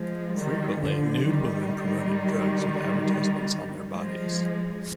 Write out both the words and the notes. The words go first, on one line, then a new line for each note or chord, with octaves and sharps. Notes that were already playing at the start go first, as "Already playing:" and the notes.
Frequently, nude women promoted drugs with advertisements on their bodies.
Already playing: F3 G#3
D#3 G3
D3 F3
D#3 G3
F3 G#3